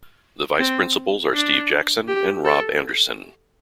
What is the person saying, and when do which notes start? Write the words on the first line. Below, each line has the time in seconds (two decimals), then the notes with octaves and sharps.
The vice-principals are Steve Jackson and Rob Anderson.
0.59 C4
1.34 D4
2.08 G4
2.45 A4